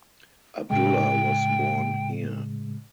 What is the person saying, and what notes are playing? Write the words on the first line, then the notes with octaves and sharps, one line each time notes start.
Abdullah was born here.
A2 C#3 G#3 G5